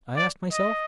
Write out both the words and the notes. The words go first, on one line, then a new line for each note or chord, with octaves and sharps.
I asked myself.
D5
D#5